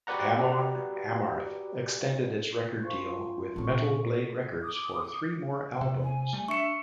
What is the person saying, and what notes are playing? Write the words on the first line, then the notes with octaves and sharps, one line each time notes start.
Amon Amarth extended its record deal with Metal Blade Records for three more albums.
F#4 G4 B4 D5 F#5 A#5
F3 C5 C#6
A#2 C4 C#4 G#4 A4
D6 D#6
C3
G#5
G3 A3
D4 E5 C#6 C#7